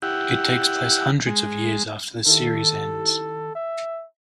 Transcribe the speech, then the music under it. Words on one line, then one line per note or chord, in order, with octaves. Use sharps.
It takes place hundreds of years after the series ends.
E4 G4 F#5
G#3
D#3 E4 G4 A4
E5